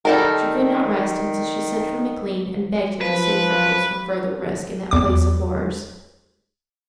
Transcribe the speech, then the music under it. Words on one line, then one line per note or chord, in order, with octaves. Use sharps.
She could not rest until she sent for McLean and begged him to save Freckles from further risk, in that place of horrors.
D#3 G3 A4 A#4
F3 B4
E2 D6